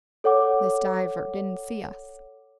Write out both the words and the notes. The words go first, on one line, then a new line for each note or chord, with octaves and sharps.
This diver didn't see us.
A4 C#5 F#5 D6